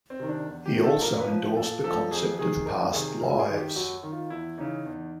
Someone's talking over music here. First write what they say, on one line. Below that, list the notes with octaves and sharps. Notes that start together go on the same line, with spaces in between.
He also endorsed the concept of past lives.
C4
C3 D#3
D4
E2
G4
C3 D#3
A4
A#2 A#4
B4
F3
A#2 A4
F3 A4
F2 G#4
C3 D#3 G#4
F2 A#4
C3 D#3 G#4
F#2 A#4
G#4
D#3
G4
F#2 F#4
D#3
F4
E2 E4
C#3 E3 D#4
E2